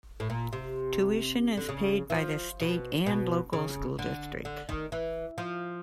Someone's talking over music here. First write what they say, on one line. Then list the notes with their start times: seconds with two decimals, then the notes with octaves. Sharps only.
Tuition is paid by the state and local school district.
0.20 A2
0.30 A#2
0.53 C3
1.57 D3
1.69 C#3
2.10 E3
2.14 F3
2.60 B2
3.06 B2
3.53 C#3
3.99 D3
4.45 D3
4.69 D#3
4.92 E3
5.38 F3